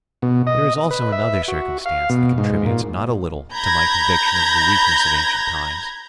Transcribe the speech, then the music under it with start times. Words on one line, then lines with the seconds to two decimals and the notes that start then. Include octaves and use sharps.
There is also another circumstance that contributes not a little to my conviction of the weakness of ancient times.
0.22 B2
0.47 D#5
0.91 B4
1.12 E5
1.48 F#4
1.86 F5
2.10 B2
2.38 G#2
2.66 A#2
3.53 A#5 B5 G6 G#6 A#6